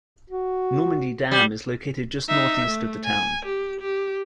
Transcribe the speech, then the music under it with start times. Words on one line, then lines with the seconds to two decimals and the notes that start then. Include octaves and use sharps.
Normandy Dam is located just northeast of the town.
0.30 F#4
1.31 G3
2.29 D#4 E5
2.67 A3
3.05 G#5
3.46 G4
3.80 G4